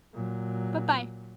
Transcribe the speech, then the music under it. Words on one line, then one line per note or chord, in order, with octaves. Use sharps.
Bye bye.
A#2 F#3